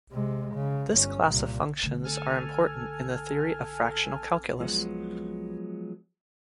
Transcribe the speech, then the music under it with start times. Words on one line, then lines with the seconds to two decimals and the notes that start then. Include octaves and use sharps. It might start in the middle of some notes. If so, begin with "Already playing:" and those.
This class of functions are important in the theory of the fractional calculus.
0.12 C3 G#3
0.54 C#3
0.93 G1 C#4
1.28 C2 A#2
1.83 D3 A3
2.04 A4 G#5 F6
4.60 F3 F#3 G#3 B3